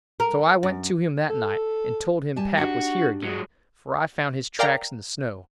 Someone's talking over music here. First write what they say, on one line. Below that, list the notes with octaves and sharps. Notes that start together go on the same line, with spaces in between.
So I went to him that night and told him pap was here again, for I found his tracks in the snow.
A#4
F#2
A4
G3 G#5 A5
D4 D#4 F#4 G4
F#3 G#3
A#4 D5 F5 G5 A#5